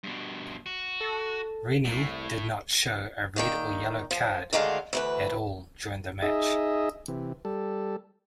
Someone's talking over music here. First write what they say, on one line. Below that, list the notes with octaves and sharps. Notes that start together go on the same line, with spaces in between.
Rennie did not show a red or yellow card at all during the match.
G2 B2
F#4
A4
C2 A2
A#2 D#3 G5
F3
D2 D3 D#3 G#3 G4 F5
D2 E3 B4
D#4 G#4 D#5 E5
C3 E3
G3 A4